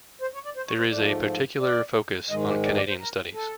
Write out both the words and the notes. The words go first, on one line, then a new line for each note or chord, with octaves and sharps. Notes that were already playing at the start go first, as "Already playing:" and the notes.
There is a particular focus on Canadian studies.
C5
C#5
D5
C5
C#5
C5
G#2 F3 A3 D5
D5
G#2 D#3 G#3 D#5
D5
D5
D5
C5
A#4
A4